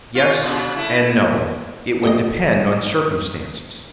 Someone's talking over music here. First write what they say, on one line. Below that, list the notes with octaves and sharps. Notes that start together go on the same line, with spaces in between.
"Yes and no--it would depend on circumstances."
C#4 F4
A#2 C#3
A3 E4
G2 A3 D#5